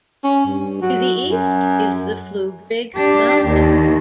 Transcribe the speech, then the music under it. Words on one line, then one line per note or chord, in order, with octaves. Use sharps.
To the east is the Fluebrig mountain.
C#4
G2
F#3
F#2
D4 G4
D#2